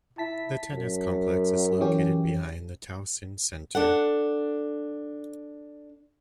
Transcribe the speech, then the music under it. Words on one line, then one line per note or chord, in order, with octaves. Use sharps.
The Tennis Complex is located behind the Towson Center.
E4 A5 B6
F#2
E3 C#4 G4
D4 A4 F#5